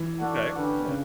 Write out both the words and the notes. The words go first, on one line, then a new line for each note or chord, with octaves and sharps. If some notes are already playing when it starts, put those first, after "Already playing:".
Okay. Yeah.
Already playing: E3
D4 F#4 A4 D5 F#5
D3 C#4 G4 B4
C#3